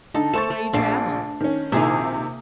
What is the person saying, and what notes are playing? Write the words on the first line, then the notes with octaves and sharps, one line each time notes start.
"Which way you traveling?"
D3 D#4 A4
A3 A4 C5 C#6 A6 E7
A3
A#1 D4 C7
D#3 C#4
A#1 C3 D#3 A#3 E4 G#4 E5